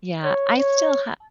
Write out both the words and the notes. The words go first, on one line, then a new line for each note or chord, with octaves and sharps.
Yeah. I still ha
C#5
C#5